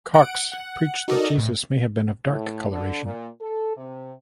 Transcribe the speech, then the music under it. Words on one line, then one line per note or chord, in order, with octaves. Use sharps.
Cox preached that Jesus may have been of dark coloration.
F#5 D7
F#5
D#4 F#4 A4 A#4 D5 D#5
D2 A2
A2
D3
A#2
A4
C3